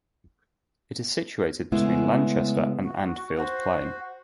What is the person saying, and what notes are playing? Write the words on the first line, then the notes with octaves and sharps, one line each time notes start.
It is situated between Lanchester and Annfield Plain.
C#3 G#3 A3 B3 E4 G#4
F#4
F#4 C5